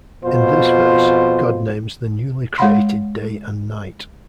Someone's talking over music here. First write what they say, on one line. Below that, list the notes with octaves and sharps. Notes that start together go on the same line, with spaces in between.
In this verse, God names the newly created day and night.
F2 B2 F4 C5
G#3 C#5 F5 F#5 B5 C6